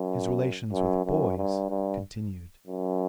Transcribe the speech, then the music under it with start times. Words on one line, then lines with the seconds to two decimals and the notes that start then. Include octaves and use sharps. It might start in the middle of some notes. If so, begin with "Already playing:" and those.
His relations with boys continued.
Already playing: F#2
0.73 F#2
1.05 F#2
1.37 G2
1.70 G2
2.67 F#2